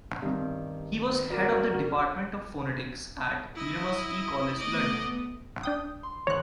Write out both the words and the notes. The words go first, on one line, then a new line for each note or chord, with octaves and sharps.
He was head of the Department of Phonetics at University College, London.
G2 D#3 C4
F#4 A#4 D5
E4 D#5
A3 B3 D5 D#5
D4 G5 D#6
C6
G#1 C#5 A#5 F#6